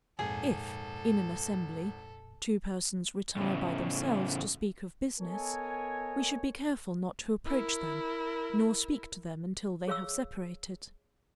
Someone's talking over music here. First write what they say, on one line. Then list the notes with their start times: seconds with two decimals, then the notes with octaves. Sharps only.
If, in an assembly, two persons retire by themselves to speak of business, we should be careful not to approach them, nor speak to them until they have separated.
0.19 G#1 F2 A#2 G#4 A4
3.36 A2 C#3
5.21 B3 A4 A#4 C#5 D#5 G#5
7.45 E4 A#4
9.88 G#4 C#5 F5 C#6 E6